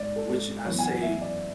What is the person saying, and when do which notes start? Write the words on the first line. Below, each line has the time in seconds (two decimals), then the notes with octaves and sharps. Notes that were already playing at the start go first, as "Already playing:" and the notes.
which I say
Already playing: G#2 D5
0.16 A4
0.65 F#2 E3 B3 C#5
0.79 G#5
0.84 F#5
1.02 E5
1.21 D5